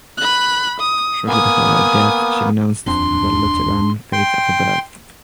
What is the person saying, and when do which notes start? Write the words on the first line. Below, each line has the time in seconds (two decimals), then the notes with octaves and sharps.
Shortly before her death she renounced the Lutheran faith of her birth.
0.17 B5 F#6
0.79 D#6
1.27 A#3 B3 G#5 D#6
2.86 D#1 F2 C4 D4 C6
4.13 G5 C6